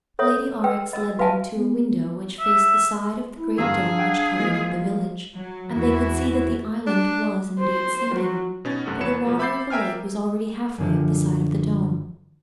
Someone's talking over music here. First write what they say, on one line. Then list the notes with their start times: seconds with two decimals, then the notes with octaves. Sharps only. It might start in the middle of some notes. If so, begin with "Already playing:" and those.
Lady Aurex led them to a window which faced the side of the great dome which covered all the village, and they could see that the island was indeed sinking, for the water of the lake was already half way up the side of the dome.
0.19 A4 C#5 E5 D#6
0.64 B4 G5 E6
0.93 D#5 E6
1.19 F#4 B4 E5 F5 G#5 A5
1.57 B3
2.39 E5
3.39 E4
3.58 E2 G2 D3 D4 G#4 F5 A#5 E6
3.98 F#5 G5
4.37 E3 F3 G#3 A#3
5.35 F#3
5.73 E2 E3 E4 F#4
6.87 D4
7.60 C5
8.15 F#3
8.65 B2 C#4 D#4 A6
8.86 F#2 C3 A3 F#4
9.00 E2 F#3 B4 C#5 C#7 E7
9.25 B2 F3 A3
9.39 E5 B5 D6 G6 A6 C7
9.70 A#4 E5 G5 G#5 F6
10.78 F#2 D3 F3